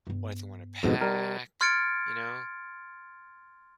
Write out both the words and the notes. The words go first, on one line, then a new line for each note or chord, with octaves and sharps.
What if they wanna pack, you know?
G2 B3
F2 G#2 B2 D4 D#4
G3 A#4
C6 F6 G#6 A6 C#7 D7